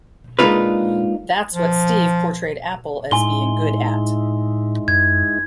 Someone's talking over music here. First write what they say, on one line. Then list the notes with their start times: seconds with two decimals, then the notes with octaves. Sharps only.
That's what Steve portrayed Apple as being good at.
0.39 G#3 A#3 D4 D#4 F4 B4
1.54 F3
3.11 A2 G#3 D#4 E4 G#5 C6 G7
4.88 F#2 G#6